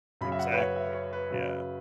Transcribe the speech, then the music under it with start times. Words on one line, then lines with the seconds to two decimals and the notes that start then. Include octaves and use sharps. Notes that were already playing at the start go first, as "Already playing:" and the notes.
Exactly. Yeah.
0.21 F#2 C#3 F#3 B5
0.32 E5
0.39 F#5
0.52 B4
0.58 C#5
0.76 E5
0.94 C#5
1.13 B4
1.31 F#2 C#3 F#3